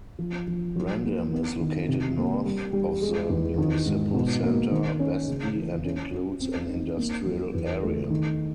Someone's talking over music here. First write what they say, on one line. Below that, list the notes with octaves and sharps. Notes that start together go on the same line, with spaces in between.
Randem is located north of the municipal centre, Vestby, and includes an industrial area.
F3
F3
F#3
A#3
B3
D#3
C3
A#3
G3
G3
G#3
E2
D#3
G#2
B2
A#3
D#3
C#4
C#3
E3
C#4
C#4
C4
D#4
A#3
F#3
E2
A3
D#3